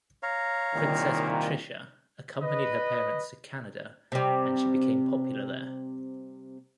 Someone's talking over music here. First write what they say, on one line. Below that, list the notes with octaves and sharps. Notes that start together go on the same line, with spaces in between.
Princess Patricia accompanied her parents to Canada, and she became popular there.
C#5 F5 A#5
C2 A#2 D#3
B4 D#5
C3 G3